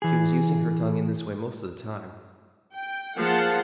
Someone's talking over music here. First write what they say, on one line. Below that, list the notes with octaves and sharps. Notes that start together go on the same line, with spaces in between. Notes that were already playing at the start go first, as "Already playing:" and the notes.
She was using her tongue in this way most of the time.
E3 G#4
G5
F3 A#3 F4 G#4 F#5 A5